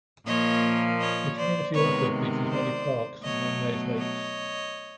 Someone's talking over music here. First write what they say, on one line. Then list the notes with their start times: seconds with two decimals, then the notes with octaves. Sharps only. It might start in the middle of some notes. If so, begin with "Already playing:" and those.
The community also features many parks and man-made lakes.
0.25 A#2 F3 A#3 C#5 D#5
0.99 C#5 D#5
1.36 C5 D5
1.73 C3 D#3 G#3 B3 B4 C#5
2.49 C5 D5
3.23 B2 F#3 A3 C#5 D#5
3.98 C#5 D#5